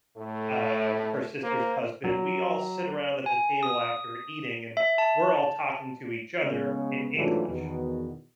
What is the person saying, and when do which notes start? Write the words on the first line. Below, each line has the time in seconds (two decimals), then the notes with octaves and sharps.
um, her sister's husband, we all sit around at the table after eating, and we're all talking to each other in English,
0.17 A2 A3
1.43 A#3 C5
2.04 F#3
3.26 G#5
3.63 D#6
4.77 E5
4.98 A5
6.43 C#3 G#3 B3
7.16 G#2 E3 F#3 A3 D4 F4
7.48 E2 B2 D#3